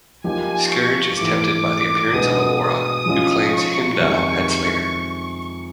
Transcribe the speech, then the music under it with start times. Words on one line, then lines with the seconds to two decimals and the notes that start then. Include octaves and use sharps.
Skurge is tempted by the appearance of Amora, who claims Heimdall had slain her.
0.24 F3 A#3 D#4 G4 G#5
0.71 C#6
1.18 G#2 E3 A3 D6
2.12 B2 G#3 B3 D4 D#6
2.59 D#6
3.06 F3 G#3 C#4 F4
3.53 C#6
4.00 F2 C3 D#3 G#3